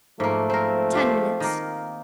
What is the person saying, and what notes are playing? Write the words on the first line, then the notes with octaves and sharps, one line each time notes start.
Ten minutes.
G#2 F3 A3 A#3
C4 A#4
F4 G4 C5
D#3 A#3